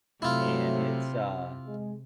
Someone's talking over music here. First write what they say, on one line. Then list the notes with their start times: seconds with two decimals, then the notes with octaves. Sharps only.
and, it's, uh,
0.22 C3 F#3 A3 E4 F4
1.67 G#3